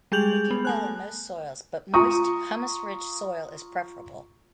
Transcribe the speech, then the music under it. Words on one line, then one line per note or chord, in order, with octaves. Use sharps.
They do well in most soils, but moist, humus-rich soil is preferable.
G3 G#3 G#4 G6 F7 F#7
B3
A3 G#5 F#6
F4 A#5 C#6 D#6